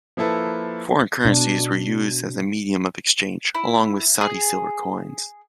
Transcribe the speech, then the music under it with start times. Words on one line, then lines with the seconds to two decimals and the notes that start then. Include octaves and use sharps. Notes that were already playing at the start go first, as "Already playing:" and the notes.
Foreign currencies were used as a medium of exchange, along with Saudi silver coins.
0.17 F3 A#3 E4 A4 B4
1.25 B2 D4
3.55 E4
4.21 G#4